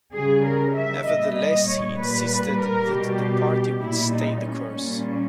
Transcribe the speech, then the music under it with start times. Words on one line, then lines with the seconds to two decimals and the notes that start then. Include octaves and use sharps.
Nevertheless, he insisted that the party would 'stay the course'.
0.14 C#3 G3 G#4
0.45 A#4
0.76 E5
1.06 A#2 G3 D#5
1.36 D#5
1.67 C#5
1.97 A#2 G3 B4
2.29 B4
2.59 A#4
2.90 B2 G3 G4
3.82 A#2 G3 E4
4.12 D#4
4.43 C#4
4.74 A#2 G3